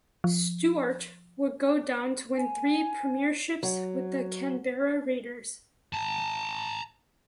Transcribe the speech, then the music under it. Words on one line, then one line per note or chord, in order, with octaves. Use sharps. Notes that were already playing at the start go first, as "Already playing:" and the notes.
Stuart would go on to win three premierships with the Canberra Raiders.
F3
G#5
F#3
A5 A#5